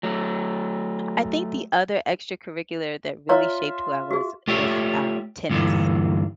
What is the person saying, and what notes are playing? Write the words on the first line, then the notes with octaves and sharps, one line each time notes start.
I think the other extracurricular that really shaped who I was, was, um, tennis.
F#3 A3
F4 C#5 D5 E5 A#5
F#4 G#4
A3 F4 G4 C#5 D5 E5
D2 G2 A#2 D3 E3